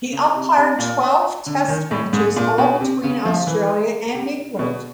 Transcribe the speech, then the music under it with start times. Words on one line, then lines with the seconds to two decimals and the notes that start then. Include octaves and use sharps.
He umpired twelve Test matches, all between Australia and England.
0.13 C#3
0.35 C3
0.57 C3
0.79 A#2
1.46 D3
1.68 D#3
1.91 A2
2.13 G#2
2.36 A#2
2.58 B2
2.80 C3
3.03 C#3
3.25 F3
3.47 E3
4.15 C3
4.59 B2